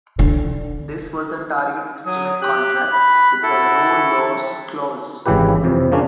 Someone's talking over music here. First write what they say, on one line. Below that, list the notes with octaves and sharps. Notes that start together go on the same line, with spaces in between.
This was a target estimate contract with a 'no loss clause'.
D3
F#3 D#6
G4 F#6
B5
E4 F#4 A4
G#1 C#3 E3 E4 G4 B4
F2 C3
C#3 A#3 C#4 D4